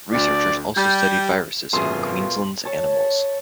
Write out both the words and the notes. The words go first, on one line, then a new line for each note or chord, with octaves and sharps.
Researchers also studied viruses in Queensland's animals.
D2 D5
G3 G6
G#1 F#2 B2 A3 A#3 F4 G#4 C6
C#5 A5